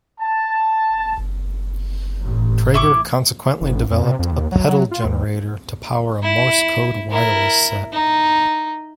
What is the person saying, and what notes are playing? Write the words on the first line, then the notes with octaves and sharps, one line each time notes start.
Traeger consequently developed a pedal generator to power a morse code wireless set.
A5
A1
E4 C#6 D6
F#1
A1
F2
C3
F2
D#2
F#3
F#3
F4
D#2
E4
E4 A#4
D#4